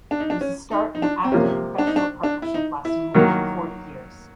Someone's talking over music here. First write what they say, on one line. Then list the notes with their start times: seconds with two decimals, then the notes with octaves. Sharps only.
It was the start of an active professional partnership lasting more than forty years.
0.11 D4
0.20 D#4
0.30 D4
0.41 C#4
0.72 D#4
0.95 D#4
1.02 D4
1.24 C4
1.32 C3 F3 A#3 C#4
1.78 D4
1.87 D#4
1.96 D4
2.23 D4
2.42 E4
2.54 D#4
2.85 E4
3.14 D#3 F#3 A#3